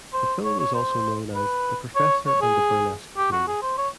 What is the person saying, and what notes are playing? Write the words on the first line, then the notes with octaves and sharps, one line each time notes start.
The film is also known as "The Professor and the Burlesque Queen".
C5
C#5
C#5
C5
B4
C#5
C#5
G#4
G4
F#4
G#4
C5
C#5